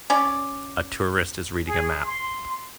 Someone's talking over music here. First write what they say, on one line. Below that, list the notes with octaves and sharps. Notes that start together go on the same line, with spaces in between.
A tourist is reading a map.
C#4 D5
G#4
C6